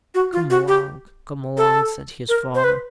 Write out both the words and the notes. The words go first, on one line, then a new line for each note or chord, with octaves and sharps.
"Come along, come along!" said his father.
F#4
F4
F#4
G4
A4
A#4
C5
B4